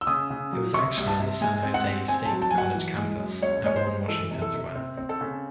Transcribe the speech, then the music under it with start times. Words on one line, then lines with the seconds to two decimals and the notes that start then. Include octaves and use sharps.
It was actually on the San Jose State College campus at One Washington Square.
0.01 E6
0.07 C#3 D#6
0.30 C#3
0.53 F#3
0.74 C3 C#6
0.97 C2
1.07 A5
1.20 C3
1.41 G#3 G#5
1.63 C4
1.74 F#5
1.86 C4
2.08 C4 G#5
2.25 A5
2.31 F#3
2.42 A5
2.51 G#5
2.53 F#3 F#5
2.75 E3
2.97 G#3
3.20 F#2
3.42 C#2 C#5
3.64 G#3 C#5
3.76 C5
3.87 G#3
4.08 E3 A4
4.31 C3
4.42 A4
4.54 C3
4.75 C4
4.97 C4
5.09 A4
5.21 C#3